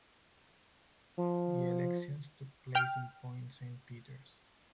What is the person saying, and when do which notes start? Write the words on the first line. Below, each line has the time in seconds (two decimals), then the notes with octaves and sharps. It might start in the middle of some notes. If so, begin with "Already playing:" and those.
The elections took place in Point Saint Peters.
1.17 F3
2.75 G5 F6